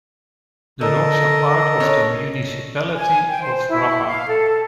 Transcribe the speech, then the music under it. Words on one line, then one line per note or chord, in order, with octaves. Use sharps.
The rocks are part of the municipality of Rapa.
D3 A4 A#4 D#5
C#4 D4 C#5
G#5
G5
C5
E4
F5
A4